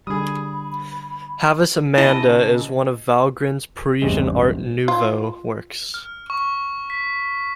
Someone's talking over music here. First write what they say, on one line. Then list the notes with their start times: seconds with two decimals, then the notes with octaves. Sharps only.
"Havis Amanda" is one of Vallgren's Parisian Art Nouveau works.
0.07 D3 G3 G#4 B5 D#6
1.98 C#3 E4 D#5 A5
4.02 A1 E2 G2 C3 G#3
4.88 F4
5.94 F6
6.30 C#6
6.90 B6